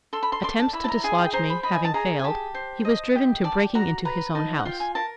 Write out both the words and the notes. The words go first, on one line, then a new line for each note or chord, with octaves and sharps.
Attempts to dislodge me having failed, he was driven to breaking into his own house.
A4 C6
B5
C6
D5 C6
A5
E4 B5
A5
A#5
G#4 G#5
G5
C5 A#5
B5
D#5 B5
G#5
A5
G#4 A#5
G#5
G4 A5
C5
D#5
G4
D5 A5
F#4 A#5
B4 A#5
D#4 A5
F#5
F4 G5
G#5
A#4 A5